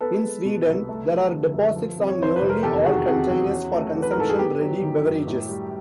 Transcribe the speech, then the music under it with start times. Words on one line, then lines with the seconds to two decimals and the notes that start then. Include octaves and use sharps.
In Sweden, there are deposits on nearly all containers for consumption-ready beverages.
0.01 B3 A4 B4
0.23 G#3
0.45 B2
0.67 C2
0.89 A3
1.11 F3
1.32 D3
1.53 F#2
1.76 F3
1.98 C3
2.09 C#5
2.19 F2 C5
2.36 B4
2.42 F1
2.50 A#4
2.63 E2 G4 A4
2.85 D#3 F#4 G#4
3.07 C3 F#4 G#4
3.29 E2 F#4
3.51 C#4
3.73 A3
3.95 E3
4.02 B4
4.11 A#4
4.17 G#2 A4
4.29 G#4
4.39 B3 G4
4.61 F#3
4.82 D#3
5.05 F#2
5.27 A2
5.49 G3